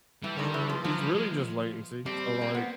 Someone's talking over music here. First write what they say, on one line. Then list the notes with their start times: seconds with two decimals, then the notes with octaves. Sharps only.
Mm, it's really just latency so, like,
0.24 E3 G3
0.39 D#3
0.54 E3
0.69 F3
0.84 F3 F#3
1.00 G3
1.15 G#3
2.06 G3 C4
2.41 A#3
2.54 B3